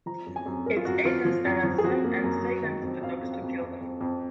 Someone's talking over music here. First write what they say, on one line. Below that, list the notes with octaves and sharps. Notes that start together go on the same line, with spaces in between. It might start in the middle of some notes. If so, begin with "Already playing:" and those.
Its agents arrest them and take them to the docks to kill them.
F3 A#5
F#2
G#5
F#2
F#2 A#4
F4
F#2 F#4
F3 F4
F3
F#2
F3
G#4
F3 F#4
A#3
F#2
F#3
D#3
F2
F2 F5
F2
F5
F2
F2
F2
F2